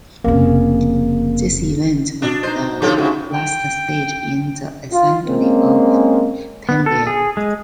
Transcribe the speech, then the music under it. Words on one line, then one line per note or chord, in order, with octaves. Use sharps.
This event was the last stage in the assembly of Pangaea.
F1 C#3 A#3
B2 D4 D#5
D#4 F#4 C5 D#5
B2 D3 D#3 F3 F4 G4 A4 C#5
G#2 C#3 E4 F#4 G#4
G5
F4
G#3 A#3 C4 C#4
B3
A4
G#4
G#3